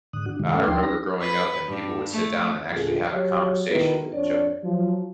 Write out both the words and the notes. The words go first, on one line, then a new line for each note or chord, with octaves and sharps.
uh, I remember growing up and people would sit down and actually have a conversation with each other,
G#2 D3 D#6 F#6
D4 F#4
G2 C3 D#3 G3 G#3
A3 C#4 A4
D2 F3 D#4 A#4 G5 C6
C#4 D#4 G4 B4 A#6
B4
G2
A3
E2 G2 A#2 D3 F4 G#4
F#3 G4 C#5
D#3 B3 E4 F#4 B4
F2 D4 C#5 D5
F3 F#3